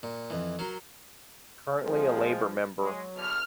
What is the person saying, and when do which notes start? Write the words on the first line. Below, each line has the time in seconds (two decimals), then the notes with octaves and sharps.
Currently a Labour member.
0.03 A#2
0.30 F2 E3
0.59 F#3 A#4 C6
1.82 F3 G#3 C4
2.80 F#3 G#3
3.15 E2 B2 D3 F6